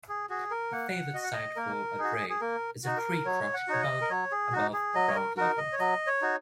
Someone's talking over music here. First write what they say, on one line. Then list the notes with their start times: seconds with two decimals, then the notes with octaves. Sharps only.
A favoured site for a drey is a tree crotch about above ground level.
0.09 G#4
0.29 F#4 G#4
0.51 A#4
0.72 A#3 F#5
1.14 F#4 D#5
1.24 F#5
1.33 D#5
1.56 A#3 A#4
1.99 D#4 F#4 G#4
2.29 G#4
2.41 A#3 A#4
2.84 D#4 F#4
2.97 A#4
3.25 F#3 C#5
3.54 F#5
3.68 D#4 F#4 C#5
3.82 D#5
4.01 A#4
4.10 F#3 C#5
4.32 G#4
4.52 D#4 F#4
4.73 G#4
4.95 F#3 D#5
5.08 C#5
5.15 A#4
5.37 D#4 F#4 A#4
5.58 D#5
5.73 C#5
5.79 F#3 D#5
6.07 C#5
6.22 D#4 F#4